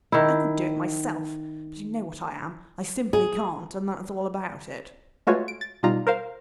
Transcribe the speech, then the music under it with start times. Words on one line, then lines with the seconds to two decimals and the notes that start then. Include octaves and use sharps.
I would do it myself, but you know what I am, I simply can't, and that's all about it.
0.12 D#3 E4
3.13 G#4
5.27 G#3 A3 F4 F#4 B4 C#5
5.48 D7
5.61 A6
5.83 B2 G3 D#4 F4 A#5
6.07 A#4 C5 F5